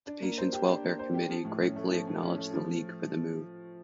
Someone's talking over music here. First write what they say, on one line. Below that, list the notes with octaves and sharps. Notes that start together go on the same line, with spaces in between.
The Patients’ Welfare Committee gratefully acknowledged the league for the move.
D4
A#3
C5
G4
D4
A#3
C5
G4
F3
A2
C#4
A3
F3
A2
C#4
A3
F3